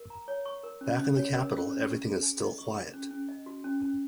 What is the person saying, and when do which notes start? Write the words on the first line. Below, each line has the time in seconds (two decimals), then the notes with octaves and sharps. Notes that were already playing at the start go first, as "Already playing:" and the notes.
Back in the Capital, everything is still quiet.
Already playing: A#4
0.10 A#5
0.28 C#5
0.45 C#6
0.63 A#4
0.81 C#4
0.99 C#4
1.16 C#5
1.34 A#4
1.51 C#4
1.69 C#4
1.87 C#6
2.05 G#4
2.23 G#5
2.40 D#5
2.58 C#6
2.76 G#4
2.94 C#4
3.11 C#4
3.28 D#5
3.46 F#4
3.64 C#4
3.82 C#4